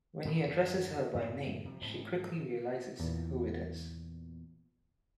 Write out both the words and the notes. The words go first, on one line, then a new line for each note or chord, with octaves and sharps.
When he addresses her by name she quickly realizes who it is.
A#2 E3 F#3 A3
D#1 F#2
F#2 A2 D3 F#3
C3 F3 G3
A1 G#2 C4
E2 A#2